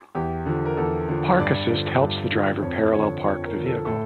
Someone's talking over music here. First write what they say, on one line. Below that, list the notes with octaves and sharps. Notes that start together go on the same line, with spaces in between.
Park Assist helps the driver parallel park the vehicle.
E2 G4
D3 F3
A#4
E2 A4
D3 F3
G2 D5
D3 F3
G2
D3 F3
F2 C#5
D3 F3 C#5
F2 C#5
A#4
D3 F3
A4
A2 A4